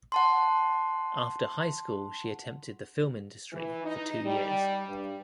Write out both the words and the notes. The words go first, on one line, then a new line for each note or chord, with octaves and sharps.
After high school she attempted the film industry for two years.
F#5 A5 C6
E3
D#4
G3
G2